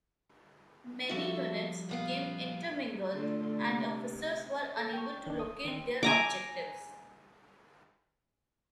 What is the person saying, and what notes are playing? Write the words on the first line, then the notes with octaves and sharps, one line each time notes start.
Many units became intermingled and officers were unable to locate their objectives.
F3 G3 F4 F#4 A4 E5
A#2 B3 F5
D3 A3 F4
C3
A4 A5
G5 C#6
D#3 D4
D#6
D#3 C4
G#5 A#5 D6